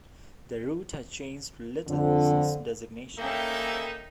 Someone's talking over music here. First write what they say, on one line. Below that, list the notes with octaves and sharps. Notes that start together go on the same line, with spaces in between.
The route has changed little since designation.
F2 D3
A#3 C#4 D#4 E4 A4 E5 G5